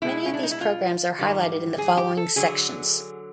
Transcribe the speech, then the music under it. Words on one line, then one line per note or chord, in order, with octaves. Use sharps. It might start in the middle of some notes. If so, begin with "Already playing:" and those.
Many of these programs are highlighted in the following sections.
B2 G#3 E4
C#4
D4
D#4
E4
F4
G#2 D#3 G3
G#4
G4
A4
D3 F#3 G#4